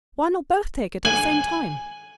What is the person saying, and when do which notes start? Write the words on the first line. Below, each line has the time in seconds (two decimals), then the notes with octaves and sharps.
"Why not both take it at the same time?"
1.05 G#5